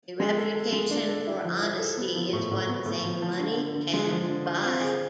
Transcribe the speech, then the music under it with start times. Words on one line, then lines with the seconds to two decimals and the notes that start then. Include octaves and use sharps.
A reputation for honesty is one thing money can't buy.
0.20 G#3
0.38 A4
0.55 A4
0.72 G#3
0.91 D4
1.09 A4
1.27 E4
1.44 F3
1.63 E4
1.79 A4
1.97 B3
2.15 F3
2.33 A2
2.51 A2
2.69 B3
2.86 A2
3.04 F3
3.22 F3
3.39 D3
3.57 D3
3.75 D3
3.94 G#3
4.11 F3
4.29 D3
4.46 F4
4.64 C4
4.81 G#4